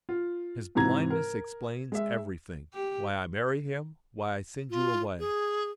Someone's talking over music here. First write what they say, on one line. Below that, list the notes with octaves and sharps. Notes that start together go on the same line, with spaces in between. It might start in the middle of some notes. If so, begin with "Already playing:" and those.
His blindness explains everything--why I marry him, why I send you away.
F4
G#2 C3 E3 A#5 G#6
A#4
G#3 E5
G4
F4
G#4